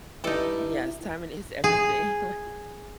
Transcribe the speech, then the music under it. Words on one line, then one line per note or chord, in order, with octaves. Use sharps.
Yes, timing is everything, like
G2 D#4 E4 A4
G#4